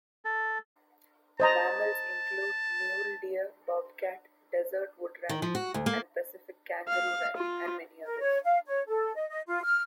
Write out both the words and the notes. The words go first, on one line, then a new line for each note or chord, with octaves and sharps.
Mammals include mule deer, bobcat, desert woodrat, and Pacific kangaroo rat, and many others.
A4
C5 D#5 A5 A#5
D#3
F3
F#4
D2
A#3
F5
F4
A#4
C#5
F5
C#5
A4
D#5
D#5
F4
F6